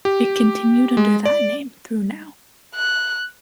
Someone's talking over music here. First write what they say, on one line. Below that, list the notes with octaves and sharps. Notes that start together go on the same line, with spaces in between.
It continued under that name through now.
G4
G#3
D5
F#6